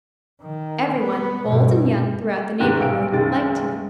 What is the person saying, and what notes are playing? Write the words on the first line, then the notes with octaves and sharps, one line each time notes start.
Everyone, old and young throughout the neighborhood, liked him.
D#3
B3
G2 B2
E2 G#2 C3 D#3 C#4
B1 G4 F5 D7
F#1 B1 F#2 D#3 G#3 A6